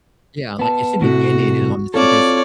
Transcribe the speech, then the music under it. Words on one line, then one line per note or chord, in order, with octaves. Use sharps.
Yeah, like, it should be mandated honestly, 'cause
B3 A5
A2 C3 A3 F#4
C4 F4 A4 C#5 D5